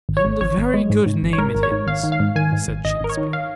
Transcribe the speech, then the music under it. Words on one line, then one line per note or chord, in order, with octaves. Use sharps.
"And a very good name it is," said Shakespeare.
G#1
C#5
G#1
G#1 C#5
G#1
G#3
G#2
G#2
G#1
C#5
G#2 A#4
G#1
C#5
G#2
G#1 F5
D#3
F5
G#2
D#3 G#5
G#2
G#1
G#1 D#5
G#1 A#4
C#5
D#3
F5